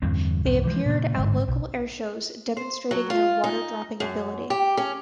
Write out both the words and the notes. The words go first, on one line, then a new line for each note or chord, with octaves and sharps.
They appeared at local airshows, demonstrating their water-dropping ability.
E2 G2 D3 C4
C2 F2 G#2
E3 F3 G#3
A#2 C#3
D1 G1 G#2
B1
C5
F#3
F4
D#4
F#2
G4
C#4